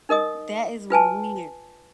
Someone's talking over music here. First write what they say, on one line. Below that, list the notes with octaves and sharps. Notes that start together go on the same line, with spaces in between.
That is weird.
D#4 A#4 D#5 D#6
F4 B4 G#5 A5